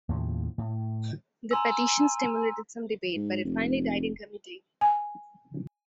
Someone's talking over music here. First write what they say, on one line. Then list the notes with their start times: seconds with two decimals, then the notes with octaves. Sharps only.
The petition stimulated some debate, but it finally died in committee.
0.09 D#2 A2 C#3 F3
0.58 A2
1.51 G#5 A#5 C6 E6
3.15 G#2
3.44 F1
4.81 G#5